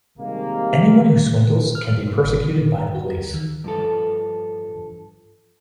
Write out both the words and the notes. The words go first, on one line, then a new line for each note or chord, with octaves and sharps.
Any one who swindles can be persecuted by the police.
C3 D#3 G3 G#3 A#3
A#4
F6
G#3
B2
G#1
D3
A#2
A#5
F#4
D2
D#3
G2 F3 A4